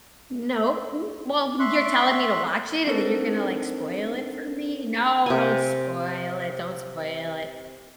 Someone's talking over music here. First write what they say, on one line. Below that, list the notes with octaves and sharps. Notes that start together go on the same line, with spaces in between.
Nope, w well, you're telling me to watch it, and then you're gonna, like, spoil it for me. No, don't spoil it, don't spoil it.
E5 C6 C#6 F#6
C4 D4 D#4 A4 A#4 C5
C3 G#5